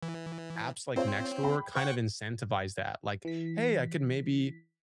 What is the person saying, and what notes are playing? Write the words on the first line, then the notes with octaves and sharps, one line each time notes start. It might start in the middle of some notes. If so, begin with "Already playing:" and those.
apps like Nextdoor kinda incentivize that. Like, "Hey, I could maybe"
E3
C4 F4 C5 C#5
G5 B5
C5 F#5 G5 C#6
E3 B6